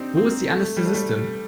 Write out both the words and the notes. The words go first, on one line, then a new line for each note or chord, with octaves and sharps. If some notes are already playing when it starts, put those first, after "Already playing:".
Wo ist die Anästhesistin?
Already playing: C4 D4 D#4 G4
C4
A3
G3
A3
G3